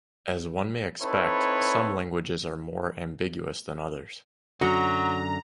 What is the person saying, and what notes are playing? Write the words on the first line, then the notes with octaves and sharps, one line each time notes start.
As one may expect, some languages are more ambiguous than others.
C4 D#4 E4 A4 B4 C#5
F#2 D3 F#3 F#4 A#5